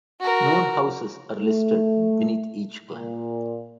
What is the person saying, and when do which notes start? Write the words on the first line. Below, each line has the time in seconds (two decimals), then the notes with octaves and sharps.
Known houses are listed beneath each clan.
0.20 F#4 A#4
1.39 A3
2.90 A#2